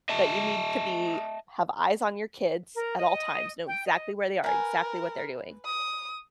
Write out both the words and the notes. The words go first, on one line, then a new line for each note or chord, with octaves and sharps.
that you need to be have eyes on your kids at all times, know exactly where they are, exactly what they're doing.
D#5 E5 A5
A#4
D#5
G5
D#5
A#4 B4 G#5
D#6